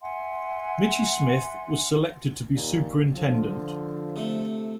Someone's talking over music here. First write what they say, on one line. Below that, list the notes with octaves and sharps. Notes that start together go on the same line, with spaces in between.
Michie Smith was selected to be superintendent.
E5 F#5 G#5 C6
D#2 A#2
D3 F3
C3 A3